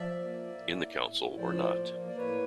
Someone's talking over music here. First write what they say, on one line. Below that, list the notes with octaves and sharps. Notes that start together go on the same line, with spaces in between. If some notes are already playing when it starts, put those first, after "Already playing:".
In the Council or not.
Already playing: F3 D5 E5
A#3
A2
A2
F3 C5 D5
A#3
D5
A2 B4 C#5